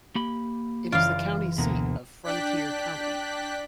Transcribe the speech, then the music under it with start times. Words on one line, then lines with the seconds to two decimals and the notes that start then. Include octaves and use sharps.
It is the county seat of Frontier County.
0.15 A#3 G4 B5
0.92 F#1 E3 F4 D5 F5 F6
1.58 D2 B2 A#3
2.24 D4 D5 G5 F#6 B6